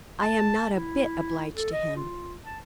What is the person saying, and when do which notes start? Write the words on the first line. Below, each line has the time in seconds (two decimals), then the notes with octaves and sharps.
I am not a bit obliged to him.
0.22 A5
0.74 E4
1.54 A4
1.72 D#5
1.96 F4
2.45 A5